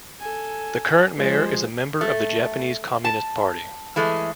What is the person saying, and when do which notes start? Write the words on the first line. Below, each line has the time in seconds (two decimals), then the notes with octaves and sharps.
The current mayor, is a member of the Japanese Communist Party.
0.19 A4 G#5
1.17 F3 G#3 C5
2.01 A3
3.05 A5
3.96 E3 G#3 A3